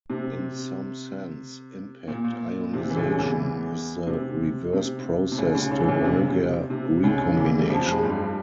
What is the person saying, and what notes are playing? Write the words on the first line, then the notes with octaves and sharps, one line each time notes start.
In some sense, impact ionization is the reverse process to Auger recombination.
C3
A#2
A#2
C3
E3
C#2 C#3
E2 E3
C3
C3
C3
C#2 C#3
C#2 C#3
C#2 C#3
E3
C#2 C#3
C3
C#3
C3
C3
C#2 C#3
E2 E3
G3
F2 F3
G#3
G2 G3